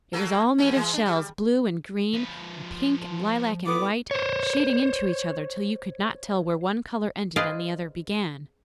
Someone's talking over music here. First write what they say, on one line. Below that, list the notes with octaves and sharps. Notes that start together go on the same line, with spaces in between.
It was all made of shells, blue and green and pink and lilac and white, shading into each other till you could not tell where one colour ended and the other began.
F#3 A#3 A4
E2 A3 C#4
E3 G#3
D4
G3
F3 B4
A2 B3 D6
C5 C#5
G#4 B4 C5 D5 D#5 F5